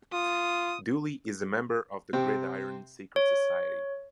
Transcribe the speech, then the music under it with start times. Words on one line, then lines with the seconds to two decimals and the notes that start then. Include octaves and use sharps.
Dooley is a member of the Gridiron Secret Society.
0.13 F4 D#6
2.13 C3 C4
3.16 C#5